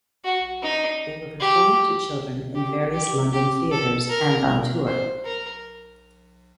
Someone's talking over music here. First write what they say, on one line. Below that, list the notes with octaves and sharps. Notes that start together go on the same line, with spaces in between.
They were performed to children in various London theatres and on tour.
F#4
D#4
G4
G4
G4
G4
A4
A#4
C5
A#4